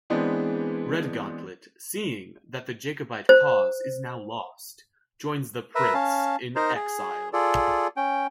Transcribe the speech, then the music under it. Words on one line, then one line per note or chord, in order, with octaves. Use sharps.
Redgauntlet, seeing that the Jacobite cause is now lost, joins the Prince in exile.
E3 G#3 B3 C4 D4 G#4
C5
A#4 B4 E5
C#4 F5 A5
D#4 A#4 C5
G#4
F4 G#4 A4 D5
C#4 G5